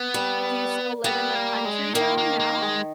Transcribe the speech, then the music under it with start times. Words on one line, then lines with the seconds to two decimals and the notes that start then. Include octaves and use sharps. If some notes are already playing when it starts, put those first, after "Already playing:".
Do you still live in the country though, now?
Already playing: B3
0.14 G3
1.04 G3 B3
1.35 A#3
1.65 G#3
1.94 D#3 A#3
2.18 A#3
2.39 A#3
2.62 G#3